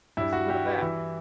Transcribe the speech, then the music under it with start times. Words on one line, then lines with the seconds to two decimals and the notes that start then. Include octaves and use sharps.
What is the good of that?
0.17 G2 E4
0.33 F#4
0.49 G3 G4
0.65 B4
0.81 E3 E4